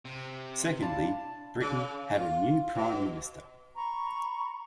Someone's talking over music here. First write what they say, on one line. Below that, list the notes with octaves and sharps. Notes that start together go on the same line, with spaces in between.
Secondly, Britain had a new Prime Minister.
C3
D4 E4 F4 A5
C#3
F4
B2
A#5 B5 C#6